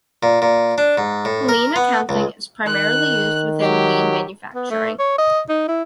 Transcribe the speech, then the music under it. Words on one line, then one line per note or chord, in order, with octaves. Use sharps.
Lean accounting is primarily used within lean manufacturing.
A#2
A#2
D4
G#2
A2
A#4
B3
C#2
D#3 F#6
F#3 G4
B3
A3
C#5
D#5
D#4
E4